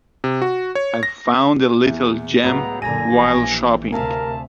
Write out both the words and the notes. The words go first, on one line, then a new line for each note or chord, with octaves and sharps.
I found a little gem while shopping.
C3
F#4
C#5
A#6
E2 E4
C#2 A2 F#3 B3 A#5
F#1 A#2 D3 G#5 A#5 A#6 D#7
A#1 E3 G4
D2 C3 A#4 E5 F5 G#5 A5